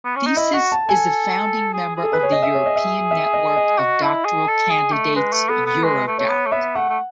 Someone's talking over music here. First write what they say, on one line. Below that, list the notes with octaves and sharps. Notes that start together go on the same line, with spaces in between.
Thesis is a founding member of the European network of doctoral candidates Eurodoc.
B3
C#4
D#4
E4 D#5
F#4 F#5
A5
A4 G#5
G#4
G#4
A4
B4
G#4 C#5
D#5
E5
C#5
D#5
E5
E5
D#5
D#5
F#4
E4
G#4
A4
G#4
A3
G#3 B4
A3
B3 A4
B3
G#3 B4
A3
A3 C#5
B3
A3
B3 E5
A3 F#5
A3